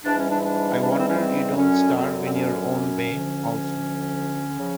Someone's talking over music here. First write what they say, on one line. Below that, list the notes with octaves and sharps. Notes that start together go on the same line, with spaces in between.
I wonder you don't starve in your own way also.
G#2 E3 G3 D4
C#4
D4
D4
D4
C#4
C4
C#4
C4
F#2 D3 F#3 C#4
C4
C4
C#4
D2 D3 F3
C#3 F3